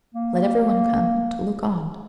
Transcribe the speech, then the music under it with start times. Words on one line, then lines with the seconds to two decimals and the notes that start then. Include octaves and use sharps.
Let every one come ... to look on.
0.15 A#3